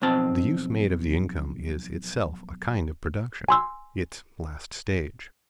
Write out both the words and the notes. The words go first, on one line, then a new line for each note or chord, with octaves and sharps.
The use made of the income is itself a kind of production--its last stage.
B1 F2 C4 A5
G#5 C6 E6